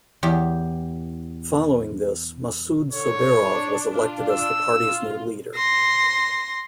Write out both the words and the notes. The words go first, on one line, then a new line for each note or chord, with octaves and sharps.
Following this, Masud Sobirov was elected as the party's new leader.
E2 G4
D3 C#5
D4
D4 F4
E6
F4
C6 A#6